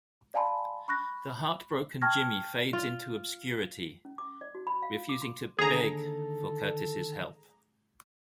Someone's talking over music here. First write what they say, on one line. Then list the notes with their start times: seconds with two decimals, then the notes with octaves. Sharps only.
The heartbroken Jimmy fades into obscurity, refusing to "beg" for Curtis' help.
0.34 D5 F5 G#5 A5 B5 C6
0.88 B5 C#6 F#6 A#6
2.01 G5 A5 C#6 F6 G#6 A#6
2.73 F4
4.05 C#4
4.18 D6
4.41 D5
4.55 F#4
4.67 B5
4.82 F5
4.94 F4
5.09 D6
5.22 C6
5.59 D#2 D3 G#4 A4 A#5